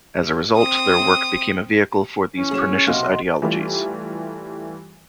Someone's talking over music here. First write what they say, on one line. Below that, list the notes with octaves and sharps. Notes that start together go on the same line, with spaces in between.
As a result, their work became a vehicle for these pernicious ideologies.
C4 D#6
E3 C#4
A2 F#3 G#4 C#5 E7
B1 C3 F#3 A#3 D#5 F#5 C6
E3 G3 A3 F4 G4